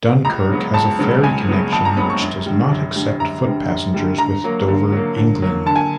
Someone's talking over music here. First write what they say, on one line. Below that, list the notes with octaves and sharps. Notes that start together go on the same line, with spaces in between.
Dunkirk has a ferry connection which does not accept foot passengers with Dover, England.
C#2 A#5
C#3 F#3 B3
C#2 A5
C#3 F#3 B3
C#2 G#5
C#3 F#3 B3
C#2 A5
A#5
C#3 F#3 B3 B5
C#6
F#2
D3 G3
F#2
D3 G3
F#2 A#5
D3 G3
F#2
D3 G3
D3 A#5
F#3 A#3
D3
F#3 A#3
D3
F#3 A#3
D3 A5
G#5